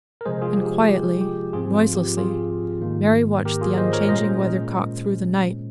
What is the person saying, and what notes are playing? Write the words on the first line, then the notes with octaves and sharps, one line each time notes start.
And quietly, noiselessly, Mary watched the unchanging weather-cock through the night.
A#4
C3 F3 G#3 G#4 C5
F4 G#4
G4
G4
G4
G#2 F3 C4 F4 G#4
F4
G4
F4 G#4
G#2 D#3 A#3
G4 A#4
F4 G#4
C5 D#5
A#4 C#5
A#2 G#3 C#4 C5 D#5